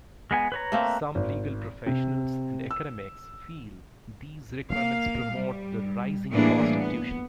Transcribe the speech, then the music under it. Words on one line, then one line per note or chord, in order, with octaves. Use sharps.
Some legal professionals and academics feel these requirements promote the rising cost of tuition.
G#3 B3 G#5
B4 C#5 A#5
A3 A#3 C4
G#1
C3
E6
A#3 F5
G3
A2 E3 G3 A#3 D4 G#4
B3